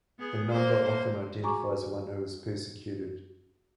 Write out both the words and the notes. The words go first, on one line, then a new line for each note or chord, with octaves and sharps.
The number often identifies one who is persecuted.
B3 G#4
A#3 C5
F#4 G#4 G#5 A#5 C#6 D6